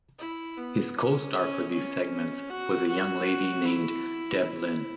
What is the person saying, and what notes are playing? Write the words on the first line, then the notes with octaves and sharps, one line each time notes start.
His co-star for these segments was a young lady named Deb-Lyn.
E4
B3
C#4
C#4
C#4
F#4
F#4
E4
E4